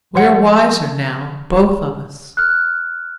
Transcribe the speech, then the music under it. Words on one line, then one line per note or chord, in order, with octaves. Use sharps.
We are wiser now both of us.
F3 C#5 F#5
F6 F#6